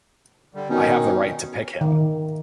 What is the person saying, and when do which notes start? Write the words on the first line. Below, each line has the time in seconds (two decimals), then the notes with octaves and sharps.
I have the right to pick him.
0.54 D3 G3
0.69 B2 D#3 C#4 D#4
0.87 B2
1.81 D#3